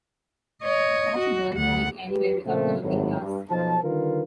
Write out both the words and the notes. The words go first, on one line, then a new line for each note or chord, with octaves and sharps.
Catch a girl going anywhere without a looking-glass.
C#5 D#5
F#4
D2 F#5
G4 B4
A#2 C#3 F3 A3 C4
G#1 A2 F#3
G2
B1 F3 D#4 C5 A5
D3 D#3 G3 F4 A#4 B4